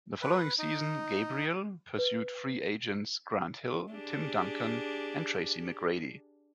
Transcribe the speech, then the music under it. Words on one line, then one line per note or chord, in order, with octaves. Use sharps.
The following season, Gabriel, pursued free agents Grant Hill, Tim Duncan, and Tracy McGrady.
B4
D#4
B4
D4 G4 G#4